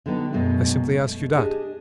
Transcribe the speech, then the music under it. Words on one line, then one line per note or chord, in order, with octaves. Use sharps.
I simply ask you that.
D3 D#3 F#3 A#3 B3 D#4
F#2 B2 F#3 G#3 A3
B2 A3
D4 G4 G#4 D#5